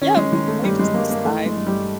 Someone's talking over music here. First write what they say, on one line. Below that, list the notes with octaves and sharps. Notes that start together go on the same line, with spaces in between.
Yep, they just decide.
D#3 C#4
G#3
D#3 G#3
A3
G2 G3
G#3
G2 A#3
A#3
E3 A3
G#3
G2
G3